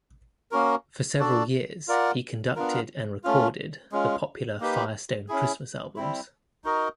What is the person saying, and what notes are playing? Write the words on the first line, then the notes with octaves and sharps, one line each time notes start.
For several years he conducted and recorded the popular Firestone Christmas albums.
A#3 C#4 F#4 A#4
D4 F#4 A4 D5
F4 A#4 D5 F#5
B3 D4 F4 A#4
A3 C#4 F4
G#3 C#4 F4
A#3 D#4 G4 B4
C#4 E4 G#4
G3 C4 E4
D#4 F#4 A#4 D#5